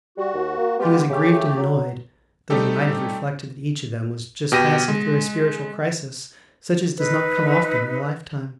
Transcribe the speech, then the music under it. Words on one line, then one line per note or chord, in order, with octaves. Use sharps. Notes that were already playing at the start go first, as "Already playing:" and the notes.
He was aggrieved and annoyed, though he might have reflected that each of them was just passing through a spiritual crisis such as does not come often in a lifetime.
G3 F#4
D#2
A#3
G#3 B3 F4 G4
C#3 A3 G4
F#3
G3 A3 C4 D#4 G4 A4
B2 G4 A#6 D#7
G#3
D#4 B4 E6